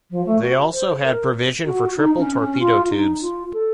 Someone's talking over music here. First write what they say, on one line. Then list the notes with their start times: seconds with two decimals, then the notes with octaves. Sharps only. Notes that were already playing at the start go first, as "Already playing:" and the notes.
They also had provision for triple torpedo tubes.
0.11 F3
0.26 A3
0.42 F#4
0.73 C5
1.04 A#4
1.66 F#4
1.97 D#4
2.18 C#4
2.39 C#4
2.59 F4
2.90 D#4
3.21 F4
3.53 A4